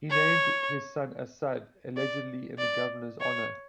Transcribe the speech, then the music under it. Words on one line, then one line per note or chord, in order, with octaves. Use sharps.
He named his son Asad, allegedly in the governor's honor.
C#5
D5
D5
C#5